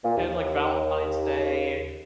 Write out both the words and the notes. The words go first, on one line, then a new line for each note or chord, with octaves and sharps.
and, like, Valentine's Day
A#2
D#2